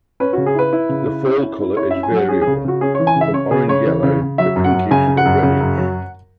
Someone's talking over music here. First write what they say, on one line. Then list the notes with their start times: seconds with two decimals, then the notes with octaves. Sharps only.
The fall color is variable, from orange-yellow to pinkish or reddish.
0.20 C#4 B4
0.33 F#4
0.37 C#3
0.46 G#4
0.55 E4 B4
0.73 E4
0.89 C#3
1.07 E4
1.25 C#4
1.42 E4
1.60 E4
1.77 E4 C#5
1.91 C#4 E5
2.03 G#5
2.11 F#3 F#5
2.29 C#4 G#4
2.42 G#4
2.47 C#3
2.65 C#3 F#4
2.81 C#4 G#4
2.95 C#5
2.99 E3
3.07 G#5
3.16 C#3
3.21 E5
3.33 C#4 C#5
3.51 C#3 G#4
3.68 C#3 C#5
3.86 E3
4.03 C#3
4.21 C#3
4.38 F#3 E5
4.56 F#2
4.64 F#5
4.74 F#2
4.91 C#3 G#5
5.07 C#3
5.17 F#5
5.25 F#2
5.43 C#3
5.61 F#2
5.77 F#3